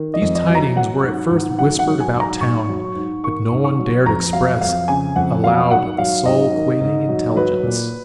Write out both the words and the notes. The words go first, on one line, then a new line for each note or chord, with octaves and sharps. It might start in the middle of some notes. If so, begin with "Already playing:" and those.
These tidings were at first whispered about town; but no one dared express aloud the soul-quailing intelligence.
Already playing: D#3
D#5
F2
D#5
F#3
A#5
F#3 F#5
G#2
G#2
F#3 F#5
F#5
F#3
G#5
G#2
A#5
G#2 C#6
F#3
G#2
D#3 C#6
G#2
C#6
F#3
F2 A#5
F#3 F5
F2 F5
C#3 G#5
F2 F#5
F#3 F5
G#2 F#5
F#3 F5
G#2 D#5
D#3
G#2
F#3
F#3 B4
A#2